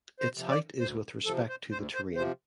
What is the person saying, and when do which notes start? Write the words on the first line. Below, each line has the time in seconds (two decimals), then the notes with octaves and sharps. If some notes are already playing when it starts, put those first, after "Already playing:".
Its height is with respect to the terrain.
0.20 C5
0.35 C3 F3
0.50 D5
0.80 D2 C5
1.25 C3 F3 A4
1.49 C5
1.71 D2 C5
1.94 C5
2.16 C3 F3 C5